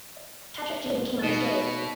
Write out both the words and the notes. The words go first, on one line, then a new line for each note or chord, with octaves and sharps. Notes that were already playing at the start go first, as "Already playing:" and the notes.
Patrik Jean came out as gay.
B2 D#4 G7